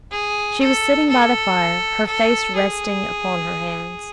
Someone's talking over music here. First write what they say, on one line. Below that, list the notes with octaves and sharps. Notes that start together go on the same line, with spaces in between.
She was sitting by the fire, her face resting upon her hands.
G#4
A4
A4
A4
G#4